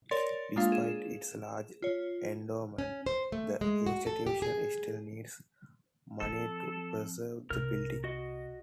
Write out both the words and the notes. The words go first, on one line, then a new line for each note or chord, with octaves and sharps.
Despite its large endowment, the institution still needs money to preserve the building.
A#4 C#5 D5 C6 A6
G#3 A#3 D4 F4 F5
G#4 E7
F4 C#5
C#4
C5
A3
G#3
F#4
A4
G4
G#4
F3 C4 A4
C2 A#4 F6
F#4 D#5